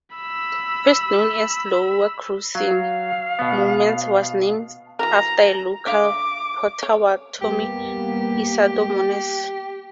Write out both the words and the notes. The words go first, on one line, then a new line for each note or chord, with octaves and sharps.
First known as "Lower Crossing", Momence was named after a local Potawatomi, Isadore Moness.
B5 E6
F#3 F5
B2 B3
E3 F#4 A#4 A#5
D3 E5 F5 D6
C#5
G3 A#3 B3 G4